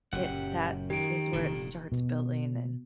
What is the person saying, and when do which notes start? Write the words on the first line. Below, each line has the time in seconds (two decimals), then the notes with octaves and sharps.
it that is where it starts building, and
0.13 F#1 F#2 A#2 G4 F#5
0.90 D#3 G4 D7
1.33 F1 A#2 D3
1.92 B2